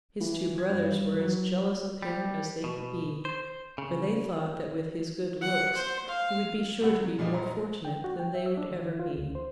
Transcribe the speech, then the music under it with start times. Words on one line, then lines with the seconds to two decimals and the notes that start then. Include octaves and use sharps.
His two brothers were as jealous of him as they could be, for they thought that with his good looks he would be sure to be more fortunate than they would ever be.
0.20 E3
0.58 G#6
0.70 G2
1.20 F#3
2.03 G3
2.64 B2
3.25 C5
3.78 C#3
5.41 F#5
5.76 C5
6.08 F5
6.80 C2 C3 G3 F#5
6.96 F#3
7.18 G2 A#2 G3 G#3 D#4
7.33 A#1 A#5
7.85 G5
8.04 F#4
8.20 G5
8.34 E5
8.46 E6
8.57 D4
8.71 D#3
8.85 E4
9.00 F4
9.18 D2
9.35 C5